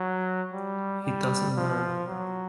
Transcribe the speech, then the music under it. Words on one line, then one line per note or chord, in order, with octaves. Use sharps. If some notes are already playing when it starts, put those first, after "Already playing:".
He doesn't know.
Already playing: F#3
G3
G3
F3
F#3